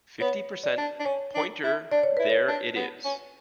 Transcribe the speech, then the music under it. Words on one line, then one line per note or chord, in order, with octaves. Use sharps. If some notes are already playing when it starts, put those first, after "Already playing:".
Fifty percent pointer-there it is!
B3 C#5
D5
D4
D4
C#4 C#5
D4
E4
D4 D5
C#5
E4 B4
C#5
D4
B3
C#4